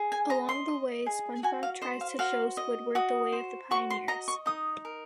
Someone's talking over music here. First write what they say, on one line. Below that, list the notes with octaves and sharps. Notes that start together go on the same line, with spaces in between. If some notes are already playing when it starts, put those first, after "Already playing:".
Along the way, SpongeBob tries to show Squidward the way of the pioneers.
Already playing: G#4
G#5
D#5 A#5
C6
D#5
G#4
F#4 G#5
F5
C5 D#5
F5
F#4 F5
D#5
F#4 D#6
C5
F#4 C#6
C6
D#5 A#5
C#6
D#4 D#6
A#4